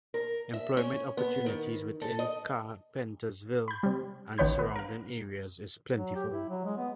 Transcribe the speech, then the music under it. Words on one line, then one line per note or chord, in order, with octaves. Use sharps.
Employment opportunities within Carpentersville and surrounding areas is plentiful.
A#4
E5
C#4
B3
D#3
A4
D#5
B5 G6
C3 G3
A1 D#3 B3 C#5 B5 G6
B3
A#4 F5
F#3
G4
E4
F#3
G#3
B3